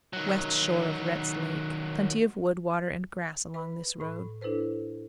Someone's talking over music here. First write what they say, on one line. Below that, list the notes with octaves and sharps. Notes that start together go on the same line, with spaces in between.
West shore of Rhett's Lake.--Plenty of wood, water, and grass along this road.
D#3 F#3
B4 B5
A2 B5
D4 E4 A4 B4 C5